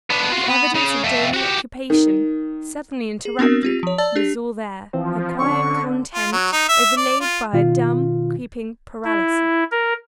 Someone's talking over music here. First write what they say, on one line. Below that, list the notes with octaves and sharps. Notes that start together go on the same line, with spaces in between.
The evidence of daily occupation, suddenly interrupted, was all there--a quiet content, overlaid by a dumb, creeping paralysis.
B3 D4
F4 F#4
B3
C#3
F2 A3
F#4 G4
D#3
G#4
B3 C4 D4 F#4 A#4
C4 F4 G4
F3 C#5
D5 A5 E6 A6
D4 G4
E3 F3 C4 C5
D3 C4 C#4 C#6
F4
F#3
D#4
E5
D5
F4
B2 D#3 F4
E4
A#4